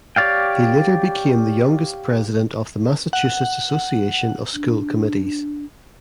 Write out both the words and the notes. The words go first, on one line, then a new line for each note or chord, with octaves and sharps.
He later became the youngest president of the Massachusetts Association of School Committees.
G4 C#5 D5 F5 G5
F#5
D4